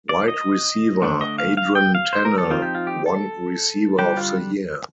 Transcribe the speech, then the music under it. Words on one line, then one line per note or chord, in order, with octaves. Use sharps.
Wide Receiver Adron Tennell won Receiver of the Year.
D5
D#5
D3 A3 D4
D#5
F5
F5
G5
F5
C5
A#4
A4
F3 C4 D#4 F4
G4
F4
G4
A4
D3 G3 D4 G4
F4